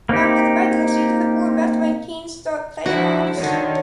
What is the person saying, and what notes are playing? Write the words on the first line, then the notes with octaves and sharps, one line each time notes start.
After the regular season, the four best-ranked teams starts play-offs.
A#3 C4 D#4 G4
D3 F3 E4 F#4
D3 D#3 C#5